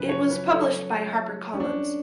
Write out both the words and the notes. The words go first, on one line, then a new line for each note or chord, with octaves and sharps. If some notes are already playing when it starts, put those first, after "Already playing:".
It was published by Harper Collins.
Already playing: F#2 C#3 F3 B4
C#5
B4
A4
C#4
D4